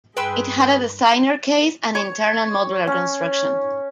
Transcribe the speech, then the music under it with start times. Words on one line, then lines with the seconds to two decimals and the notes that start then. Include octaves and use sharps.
It had a designer case and an internal modular construction.
0.17 G2 G#4 B4 G5 C6 E6
1.95 C#5
2.87 C#4